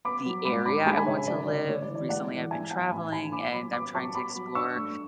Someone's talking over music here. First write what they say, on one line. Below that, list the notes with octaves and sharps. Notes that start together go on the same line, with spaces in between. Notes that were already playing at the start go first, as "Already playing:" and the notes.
the area I want to live. Recently, I've been traveling, and I'm trying to explore
B3 B5 D6
F#3
G#2 B5 D6
D4 B5 D6
G#3 G#5 B5
G#5 B5
C#3 C#5 E5
C#5
F#3 D5
D3 D5
G#3 C#5
D5
E3
D5
G#3 D5 F#5
E3
G#2 E5 G#5
B3 F#5 A5
A1 G#5 B5
E3 G#5 B5
A3 B5 D6
F#3 B5 D6
B3 B5 D6
F#3 A5 C#6
B3 B5 D6
F#3
D4 C#6 E6
A3